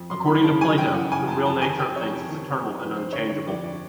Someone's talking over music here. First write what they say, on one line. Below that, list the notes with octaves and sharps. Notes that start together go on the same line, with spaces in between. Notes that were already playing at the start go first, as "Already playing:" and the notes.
According to Plato, the real nature of things is eternal and unchangeable.
Already playing: F2
F#2 C6
E3 B5
C#3 A5
F#2 G#5
F#2 G5
E3 F#5
C#3 G#5
F#2 A5
F2 A5
D#3 G#5
C3 G5
F2 C#5
F2
D#3
C3
F2
F2 B4
F2 C5
D3 C#5
D3 C#5
F2 D5
F2 D5